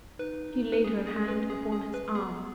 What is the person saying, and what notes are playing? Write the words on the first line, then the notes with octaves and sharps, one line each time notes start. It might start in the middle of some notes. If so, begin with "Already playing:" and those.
She laid her hand upon his arm.
D#4 B4
D#4
B4
C#4 G#4
G#4
B4
G#4
G#4
B4
B3 G#4